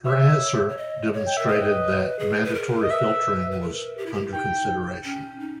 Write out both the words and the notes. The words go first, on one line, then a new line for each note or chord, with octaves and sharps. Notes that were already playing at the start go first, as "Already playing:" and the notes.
Her answer demonstrated that mandatory filtering was under consideration.
C#5 E5
C#5
D#5
C#5
G5
A#4 E5
B4 D#5
G#4
B4
A#4
D#5
B4 E5
B4
A#4
G4
E4
G4
D#4 G5
C#4
D#4